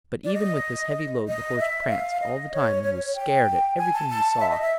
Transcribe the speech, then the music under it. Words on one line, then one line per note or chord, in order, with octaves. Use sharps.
But even with this heavy load the horse pranced all the time, and was scared at everything he saw.
D5
D#5
D#5
E5
F5
D#5
C#5
C#5
C#5
C#5
G5
G#5
A5
A5
E5
D#5
E5